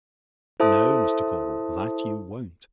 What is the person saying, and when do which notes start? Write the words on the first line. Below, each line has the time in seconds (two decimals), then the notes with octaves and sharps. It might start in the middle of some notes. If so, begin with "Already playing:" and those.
No, Mr. Caudle, that you won't.
0.60 E4 A4 C5 E5 A5 D#6